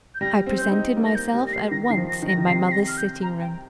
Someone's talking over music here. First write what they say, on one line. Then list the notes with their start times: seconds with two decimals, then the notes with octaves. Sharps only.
I presented myself at once in my mother's sitting-room.
0.15 G6
0.21 G3 A#6
0.47 C4
0.58 C4 G6
0.71 D#4
0.97 A#3
1.05 A#6
1.15 G6
1.34 G3
1.47 A#6
1.53 C7
1.71 D#3 A#6
1.84 A#6
1.90 D#3 C7
1.97 F3
2.09 A#6
2.22 D#3
2.28 A#6
2.37 D#3
2.47 C3 C7
2.68 C7
2.72 A#6
2.88 F6
2.98 G6
3.22 A#5
3.41 G5